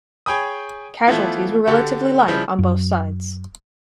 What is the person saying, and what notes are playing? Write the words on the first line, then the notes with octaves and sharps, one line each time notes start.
Casualties were relatively light on both sides.
G#4 C#5 G5 G#5 B5 D#6
E3 F3 A3 B3 E4 F4
D3 F#4 G4 A4
C#3 F3 G3 E4 G4
F#2